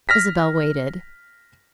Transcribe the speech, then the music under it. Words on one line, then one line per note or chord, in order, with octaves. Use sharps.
Isabel waited.
F6 A#6 B6